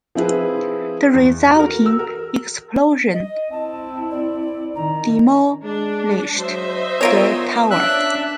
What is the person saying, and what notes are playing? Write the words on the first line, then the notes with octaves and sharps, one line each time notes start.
The resulting explosion demolished the tower.
F3 C4 E4 G#4 B4
E2
F#4 A#4
E6
A#4
D#5
C4 E4 A5
D5
D#3 A#5
G#3 D4
F#3 C5 D#5 E5
B3 F4 A#4 C#5
C#4 D4 E5 F#6